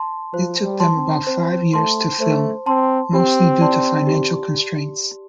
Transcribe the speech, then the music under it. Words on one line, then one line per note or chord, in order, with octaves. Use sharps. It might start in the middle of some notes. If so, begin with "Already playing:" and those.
It took them about five years to film, mostly due to financial constraints.
Already playing: A5 C6
F3 C5
G3
A5 C6
C4
C4 C5
A3 A5 C6
A3 C5
C4 A5 C6
C4 G4
D5 A5 C6
G4